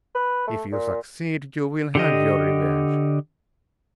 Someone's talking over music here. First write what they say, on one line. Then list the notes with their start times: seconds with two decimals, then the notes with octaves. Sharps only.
If you succeed, you will have your revenge.
0.15 B4
0.47 A3
0.72 A#2
1.95 D3 G4 D#5